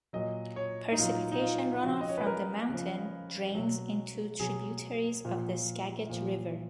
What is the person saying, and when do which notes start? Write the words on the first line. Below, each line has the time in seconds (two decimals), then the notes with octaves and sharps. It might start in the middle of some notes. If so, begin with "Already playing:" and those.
Precipitation runoff from the mountain drains into tributaries of the Skagit River.
0.13 A#2 F#3 D#5
0.56 C#5
0.92 D#4
0.98 A#2 F#3 F4
1.32 D#4
1.42 F4
1.74 F4
1.84 C#3 F3 F#4
2.01 D#5
2.09 C#5
2.18 B4
2.27 A#4
2.69 C#3 F3
3.55 B2 F#3
4.40 B2 F#3 G#4
5.25 A#2 F3
6.09 A#2 F3